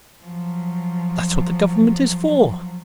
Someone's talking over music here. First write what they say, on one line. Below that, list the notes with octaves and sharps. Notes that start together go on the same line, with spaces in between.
That's what the government is for.
F3 F#3